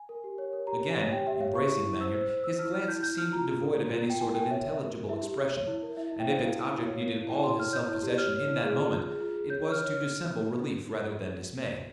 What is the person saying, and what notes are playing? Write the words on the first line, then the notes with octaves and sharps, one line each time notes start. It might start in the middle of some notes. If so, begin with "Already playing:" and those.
Again, embracing Lanyard, his glance seemed devoid of any sort of intelligible expression; and if its object needed all his self-possession in that moment, it was to dissemble relief rather than dismay.
Already playing: G#5
A#4
G4
C#5
A#4
G4 A#5
C#5
G#5
C#5
G4 G5
G4 E5
C#5 F5
G4 C#6
E4
E4
C5 E6
C5
C5
C5 E6
E4 F6
E4 F6
E4 G6
E4 G6
E4 F6
F4 A#5
F4
A#4
A#4
F4
F4 G5
E4 G#5
A#4 G5
C#5 E5
A#4
E5
A#4
A#4
E4 E5
G4
C#5
C#5
E4
A#4
E4 E5
E4 E5
G5
C5 F5
E4 F5
E4
E4
C#5
A#4
E4
E4 G5
E4 C6
C#5 F6
C#5 G6
E4
G4
C#5 F6
C#5
E4
G#4
F4
F4
G#4
F4
G#4
C#5 G6
C#5
F6
C#5